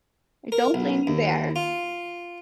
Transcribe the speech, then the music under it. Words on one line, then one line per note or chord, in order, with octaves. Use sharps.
I don't blame you there.
A#4
B1
D#2
F4